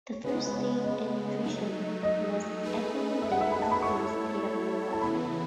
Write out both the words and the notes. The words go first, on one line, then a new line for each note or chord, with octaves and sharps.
The first state electrician was Edwin Davis in the state of New York.
C#5
C#3 G#3 B3 B4
B4
C#5
D#5
F#3 A3 D#4
D#5
A3 D#4 G#4 B4
E5
F#5
E5
B5
A5
B5
A3 E4 A4 C#5 C#6
A5
C#3 E3 B3 E4 B5